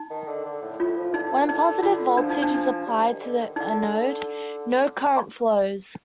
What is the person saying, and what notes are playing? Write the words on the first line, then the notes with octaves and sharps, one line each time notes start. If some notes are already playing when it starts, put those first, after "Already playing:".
When positive voltage is applied to the anode, no current flows.
Already playing: D#4
D#3
D3
D3
A2
A2 F4
F3
D3 D#4
A#2
D3 D#4
D3 F4
F3 D4
D#4
D4
G3
D#3
D3
D#3
D3 D#4